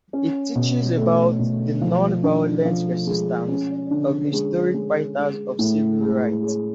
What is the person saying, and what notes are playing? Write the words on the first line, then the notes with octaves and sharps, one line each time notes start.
He teaches about the non-violent resistance of the historic fighters of civil rights.
C#4
B2
A3
B2
F3
D4
F3
G#3
C#4
D3
G#3
G#3
G#3
A2
G#3
G#4